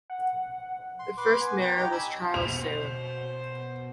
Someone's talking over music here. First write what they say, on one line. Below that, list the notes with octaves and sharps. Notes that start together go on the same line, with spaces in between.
The first Mayor was Charles Salem.
F#5
C6
B4 C6 D6
B3 G#5
C#5 G5 A#5
D#4 G4 G5 A#5
G#5 B5 E6
B2 C5 F7